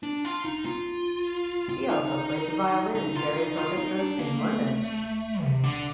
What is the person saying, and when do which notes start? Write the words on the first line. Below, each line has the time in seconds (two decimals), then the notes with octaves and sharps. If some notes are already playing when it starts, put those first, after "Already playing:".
He also played the violin in various orchestras in London.
0.03 D4
0.25 F4
0.45 D#4
0.66 F4
1.69 F4
1.90 D#4
2.95 D#4
3.15 F4
3.36 D#4
3.57 F4
3.77 D#4
3.99 D4
4.19 A#3
4.39 A3
5.43 C3
5.64 D3